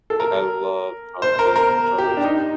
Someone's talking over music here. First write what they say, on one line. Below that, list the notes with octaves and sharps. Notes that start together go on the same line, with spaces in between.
Like, I love chocolate strawberries.
A4
A#4
C5
A#4
A#4
G4
D4
D#4